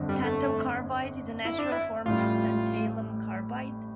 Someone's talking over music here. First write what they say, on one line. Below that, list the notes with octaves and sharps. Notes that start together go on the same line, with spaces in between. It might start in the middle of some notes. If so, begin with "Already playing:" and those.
Tantalcarbide is a natural form of tantalum carbide.
Already playing: G1 F2 D3
G3
A3
E4
D4
E4
A1 A2 G3 F4